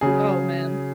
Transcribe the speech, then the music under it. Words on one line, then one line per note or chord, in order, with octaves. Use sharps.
Oh man.
C#3 F#3 G#4